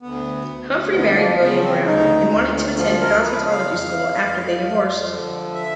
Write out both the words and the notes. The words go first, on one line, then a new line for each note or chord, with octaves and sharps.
Humphrey married William Brown and wanted to attend cosmetology school after they divorced.
D2 B3
D2
F3 B3
A#3
C#3 B3
C4
D2 D#4
D2
F3 F4
A#4
C#3 B4
F5
F2
F2
F3
D3
E5